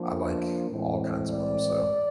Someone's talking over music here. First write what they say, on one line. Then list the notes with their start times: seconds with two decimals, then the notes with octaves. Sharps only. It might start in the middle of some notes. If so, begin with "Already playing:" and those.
I like all kinds of 'em, so,
Already playing: F3 A#3 D4
0.71 A2 E3 G#3 C4
1.31 D5